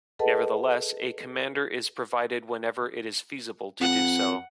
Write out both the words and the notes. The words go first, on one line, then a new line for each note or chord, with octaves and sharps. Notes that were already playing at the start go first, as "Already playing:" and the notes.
Nevertheless, a commander is provided whenever it is feasible to do so.
G#4 A4 B4 D#5 F#5 A5
F2 F#5